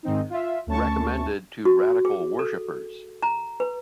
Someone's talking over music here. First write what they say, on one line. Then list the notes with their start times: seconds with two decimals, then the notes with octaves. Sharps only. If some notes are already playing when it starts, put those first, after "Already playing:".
Recommended to radical worshippers.
0.03 G#2 D#3 C4 D#4
0.30 F4 E5
0.67 D2 A3 C#4 A5 C#6
1.65 F#4
2.05 G#4
2.39 A4
3.22 A#5
3.60 B4